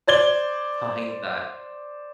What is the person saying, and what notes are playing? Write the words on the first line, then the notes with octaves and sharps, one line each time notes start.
find that,
C5 D5 G#6 G7